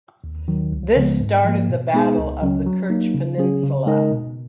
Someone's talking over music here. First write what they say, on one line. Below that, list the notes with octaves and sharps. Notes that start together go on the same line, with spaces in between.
This started the Battle of the Kerch Peninsula.
D#2
D#3 F#3
C#2
C#3 F3 G#3 B3
G#2
F3 A#3
B2
G#3 B3 D#4 G#4
C#2
C#3 F#3 C#4
F#3
A#3 D#4
C#3
F#3 C#4 G#4
C#3
G#3 D#4 A#4 D#5
B2